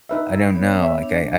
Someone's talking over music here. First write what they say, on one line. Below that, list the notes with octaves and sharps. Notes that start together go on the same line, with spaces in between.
I don't know, like, I
D#4 B4 E5 A#5 E6
B3 C#5
E5
D4